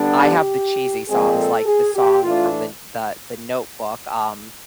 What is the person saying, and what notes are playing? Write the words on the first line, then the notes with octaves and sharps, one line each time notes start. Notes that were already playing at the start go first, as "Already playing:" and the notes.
I have the cheesy songs, like, the song from the N the the Notebook, um
Already playing: D3 G3 B3 D4
G4
A#2 F3 G#3 C4 G#4
A4
G#4
G4
E3 A3 D4 F4